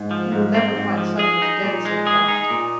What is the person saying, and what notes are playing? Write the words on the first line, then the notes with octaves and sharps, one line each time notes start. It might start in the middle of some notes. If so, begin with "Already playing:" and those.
"He will never find Cypher's again," said Kraft.
Already playing: G#2
F3
G#2
C4
G#2
F3
G#4
D#4
A#2
G#3
G#4
D#4
A#2